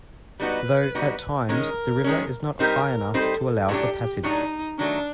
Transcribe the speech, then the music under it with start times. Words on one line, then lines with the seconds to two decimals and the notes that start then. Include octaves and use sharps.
Though, at times, the river is not high enough to allow for passage.
0.40 G3 B3 D#4 F#4 B4
0.95 G3 B3 D#4 F#4
1.49 D#3 G#3 C#4 A#4
2.04 D#3 G#3 C#4
2.59 G3 C4 D#4 G4 A#4 C5
3.14 G3 C4 D#4 G4 A4 C5
3.68 A2 F#3 A3 D4 G4
4.24 A2 F#3 A3 D4 D#4
4.78 D#3 F#3 A3 D4